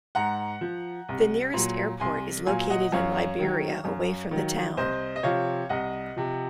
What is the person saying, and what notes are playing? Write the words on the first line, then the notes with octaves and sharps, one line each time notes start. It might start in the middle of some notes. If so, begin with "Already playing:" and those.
The nearest airport is located in Liberia, away from the town.
G#2 F#5 A#5
F3
C2
A#2 F#3
C2 G#5 C6
A#2 F#3 F5 G#5
D#5 F#5
F#2 C#5 F5
D#3 F#3
F#2
D#3 F#3
C2 C5 D#5
D#5
C3 F3 C#5 F5
C2 D#5 F#5
C3 F3